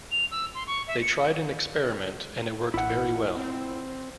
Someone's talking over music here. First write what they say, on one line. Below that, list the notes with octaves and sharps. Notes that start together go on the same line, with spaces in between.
They tried an experiment and it worked very well.
F7
E6
C6
C#6
E5
C#7
A1 E4 F#5
C4